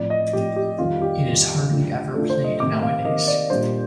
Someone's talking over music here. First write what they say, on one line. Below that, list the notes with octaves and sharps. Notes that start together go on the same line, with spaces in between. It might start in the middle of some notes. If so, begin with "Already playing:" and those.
It is hardly ever played nowadays.
Already playing: A2 F3 C4 D5
D#5
A2 F3 C4 G4
G4
F2 D#3 G3 F4
G4
F2 D#3 G3
D3 A3 D4 F4
D3 A3 D4 F4 A4
C5
D#5
C3 D#3 A#3 D6
F5
C3 D#3 A#3 D#5
D5
A#2 G3 D4 C5